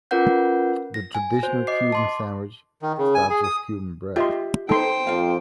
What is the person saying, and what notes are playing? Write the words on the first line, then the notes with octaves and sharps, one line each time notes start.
The traditional Cuban sandwich starts with Cuban bread.
C#4 F4 A#4 B4 F#5 G6
A#6
G#5
F#4 C5 G6
D#5 D6 C7
A5 C6 D6
D#3
C#3
G#5
G#4
D#6
F4 G4 D#5 E5 C6
D#4 A4 C5 G5 C6
F2 F4 F5